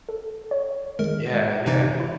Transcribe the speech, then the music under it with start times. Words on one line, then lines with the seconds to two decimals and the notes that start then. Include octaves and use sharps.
Yeah, yeah.
0.09 A4
0.51 C#5
0.99 D#3 G#3 A#4
1.66 C3 E3 D#4
2.00 E4